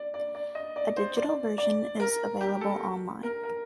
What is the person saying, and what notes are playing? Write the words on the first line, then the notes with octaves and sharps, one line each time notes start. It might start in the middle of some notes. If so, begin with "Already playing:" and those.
A digital version is available online.
Already playing: D5
D5
D5
D#5
D5
C5
D5
D5
A#4
G4
A4
A#4
A#4